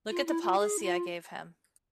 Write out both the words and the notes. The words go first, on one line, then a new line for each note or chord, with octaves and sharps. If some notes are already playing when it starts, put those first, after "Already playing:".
Look at the policy I gave him!
F4
E4
F4
G#4
E4
F4